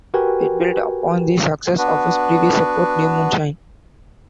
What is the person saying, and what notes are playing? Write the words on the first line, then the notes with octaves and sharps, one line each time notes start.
It built upon the success of his previous effort, "New Moon Shine".
F#4 G4 A#4 B4 G5 G#5
B3 D4 F#4 B4